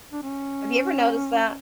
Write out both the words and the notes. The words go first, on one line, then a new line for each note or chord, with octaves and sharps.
Have you ever noticed that?
D4
C#4